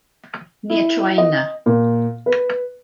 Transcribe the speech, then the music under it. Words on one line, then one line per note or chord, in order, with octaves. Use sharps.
Near Troina.
E4
D#5
A#2
B4